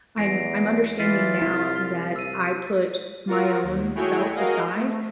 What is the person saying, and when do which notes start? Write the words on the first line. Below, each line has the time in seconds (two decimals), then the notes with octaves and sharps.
I'm I'm understanding now that I put my own self aside
0.18 E2 A#6 C7 D7
1.00 E3 F4 A6 B6 C7
1.42 C2 E4
2.16 E6 D#7
3.27 F4 F#4 A#4
3.63 D#2
3.95 A3 E4 F#4 G#4 C#5 G5
4.35 F#4 G#4 A#4 D#5 F5
4.75 A3